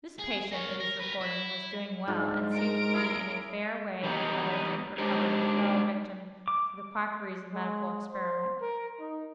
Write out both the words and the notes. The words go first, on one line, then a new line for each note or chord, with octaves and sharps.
This patient, it is recorded, was doing well and seemed to be in a fair way of ultimate recovery, but fell a victim to the quackeries of medical experiment.
G#4
A#4 C#5
A#4
A#4 B4
E4
G#2 G#3 D4 F4
A#4 D7
E4 G#4 F5
E3 G3 B3 D#4
G#3 D4 D#4 G4 C5 C#5
D6
G#3
C5
A#4
D#4